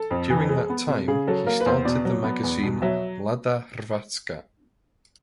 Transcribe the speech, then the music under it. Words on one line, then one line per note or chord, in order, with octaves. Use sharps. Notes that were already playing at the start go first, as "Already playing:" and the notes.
During that time he started the magazine "Mlada Hrvatska".
Already playing: A4
F2
E3
G#3
B3
C3
C#3 G#4
F#3 A4
A#3 A#4
B4
E2 C5
B2 D5
F#3
B3
E2
B2
F#3 E5